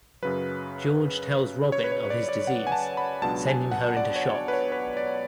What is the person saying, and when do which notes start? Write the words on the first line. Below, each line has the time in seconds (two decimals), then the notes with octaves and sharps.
George tells Robin of his disease, sending her into shock.
0.22 F#2 C#3 F#3 B4
1.72 C#5
1.84 B4
1.92 C#5
2.10 D5
2.29 D5
2.47 F#5
2.67 G#5
2.72 A5
2.97 B5
3.22 C#2 B2 F#3 B3 D4 A5
3.47 G#5
3.71 F#5
3.97 D5
4.16 C#5
4.35 D5
4.48 B4
4.53 C#5
4.72 B4
4.97 D5